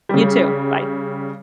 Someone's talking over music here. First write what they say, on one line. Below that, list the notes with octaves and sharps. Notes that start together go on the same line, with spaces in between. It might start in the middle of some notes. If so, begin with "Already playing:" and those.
You, too. Bye.
C#3 G3